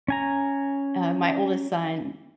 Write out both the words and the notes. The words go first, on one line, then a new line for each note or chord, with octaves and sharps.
uh, my oldest son
C#4 G#5 A#5